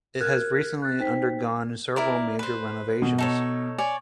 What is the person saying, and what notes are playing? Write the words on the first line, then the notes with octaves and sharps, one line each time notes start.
It has recently undergone several major renovations.
A#4 F6 F#6 G#6
F#6 A6
D#4 C5 G5 B6
E4 A#4 D5
B4 C5
B2
D#4 A4 C#5
C#5 D5 G#5